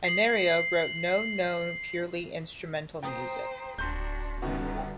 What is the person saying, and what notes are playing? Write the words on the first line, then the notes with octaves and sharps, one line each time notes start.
Anerio wrote no known purely instrumental music.
C7 F#7
C5 G5 A#5 D#6
D1 D4 F#4 C6 G6
C#2 F#2 D3 D#3 G3 B3 F#4